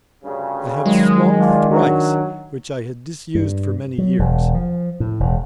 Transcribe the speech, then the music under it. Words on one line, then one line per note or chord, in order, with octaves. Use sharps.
I have swum thrice, which I had disused for many years.
D2 G2 C#3
D#3 F#3 G#3
D4 F4
F#3 D4 F#4
G2
F#3
E1
F3
A2
E1